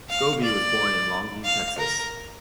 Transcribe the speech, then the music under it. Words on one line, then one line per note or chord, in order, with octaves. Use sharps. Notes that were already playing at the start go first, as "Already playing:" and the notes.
Scobee was born in Longview, Texas.
F5
D5
F5
A#4